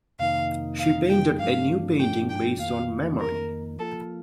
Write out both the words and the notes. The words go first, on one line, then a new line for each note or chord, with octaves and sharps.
She painted a new painting based on memory.
F2 C3 D#3 A#3 D#4 F5
F5
G5
G2 F3 A3 D4 F5
G5
G5
F2 D#3 A#3 F5
A#4
F3 A#3 F4 A4